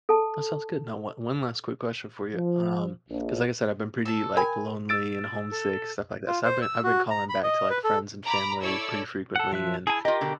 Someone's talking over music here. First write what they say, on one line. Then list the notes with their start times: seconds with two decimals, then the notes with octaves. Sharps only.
That sounds good. Now, o one last quick question for you, um 'cause, like I said, I've been pretty, like, lonely and homesick, stuff like that. So, I've been I've been calling back to, like, friends and family pretty frequently, and,
0.09 A4 A5
2.34 F3
3.09 A#1
4.05 A4 A5
4.37 A#4 G5 G#5 B5
4.89 E6 A6 D7
5.50 A4
6.28 F4
6.45 C5
6.62 E6
6.84 F#4
7.11 A#5
7.29 B5
7.43 D#5
7.70 B4
7.84 A4
8.24 A#5 B5 D6
8.62 E4 A4 C#5 D5 E6
9.36 A4 F#5
9.52 F3 E5 F#6
9.87 E4 G#4 G#5 A5
10.05 F4 G4 A#4 D#5
10.21 B2 D3